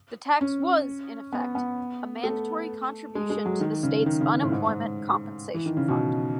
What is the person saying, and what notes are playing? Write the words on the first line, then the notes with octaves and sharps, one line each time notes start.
The tax was in effect a mandatory contribution to the state's Unemployment Compensation Fund.
C#4
B3
B3
A3
G#3
G#3
F#3
D#3
C#3
D#3
C#3
A2
G#2
G#2
E3
D#3
C#3
B2